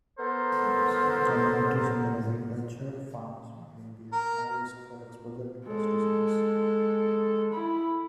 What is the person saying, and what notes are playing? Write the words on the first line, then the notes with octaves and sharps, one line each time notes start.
Communities near agricultural farms may be at higher risk for exposure to pesticides.
B3 A4 A#4 C5
A#4
G#3 A4
E4 B5